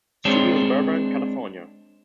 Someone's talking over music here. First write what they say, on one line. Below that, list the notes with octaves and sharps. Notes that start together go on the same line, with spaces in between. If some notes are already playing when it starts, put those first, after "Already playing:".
Studio in Burbank, California.
G#3 C4 D4 G#4 C5 C#5